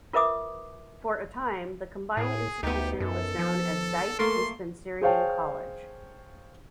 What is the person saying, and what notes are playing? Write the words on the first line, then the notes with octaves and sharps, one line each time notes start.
For a time the combined institution was known as Dyke and Spencerian College.
F4 A#4 B4 E5 D6 D#6
A2 G#4
D2 B3 D#4 G4
F#2 A4
F3
A3 A#3 A4 A#4 C6
G#4 C5 C#5 F5 G5 A5